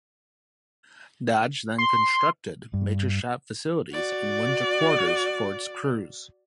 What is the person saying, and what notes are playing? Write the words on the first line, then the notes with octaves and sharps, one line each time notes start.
Dodge then constructed major shop facilities and winter quarters for its crews.
C6
G2
F#4 D5